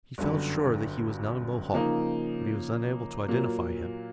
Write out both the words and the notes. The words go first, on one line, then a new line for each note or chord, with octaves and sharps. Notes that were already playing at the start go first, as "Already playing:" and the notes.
He felt sure that he was not a Mohawk, but he was unable to identify him.
G1 F#2 D3 G3
C#3 F3 A#3 D#4
A#2 F#3 A#3